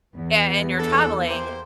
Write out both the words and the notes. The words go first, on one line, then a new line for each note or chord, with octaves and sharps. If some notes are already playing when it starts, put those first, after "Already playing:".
a and you're traveling
E2 B3
D4 A4
A#3 G4 C5